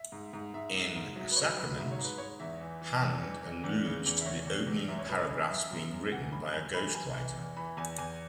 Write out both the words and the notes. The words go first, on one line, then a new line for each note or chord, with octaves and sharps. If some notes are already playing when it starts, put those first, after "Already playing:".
In "Sacrament", Hand alludes to the opening paragraph's being written by a ghostwriter.
Already playing: E5
G#2
G#2
G#2 E5
G#2
G#2
F#3 E5
B4
G#2 C#5
F#3 B4
G#2 E5
C#5
G#2
B4
G#2 C#5
E2 E5
E3
E3
E2
E3
E2
E2
C#3
E2
E5
E2 C#5
E2
E2
F#2 E5
C#5
F#2 B4
C#5
E3
F#2 E5
F#2
F#2
E3 F#5
F#2 B5
F#2 G#5
E3 B5
E3 G#5
E3
E2
E3 B5
E2 G#5
E2 G#5